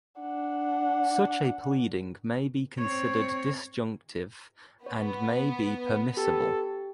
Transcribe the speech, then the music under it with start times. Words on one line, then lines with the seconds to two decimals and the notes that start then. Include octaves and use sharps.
Such a pleading may be considered disjunctive and may be permissible.
0.20 D4 F#5
2.79 C4 C#5
4.86 B3 C#5
6.17 G4 A4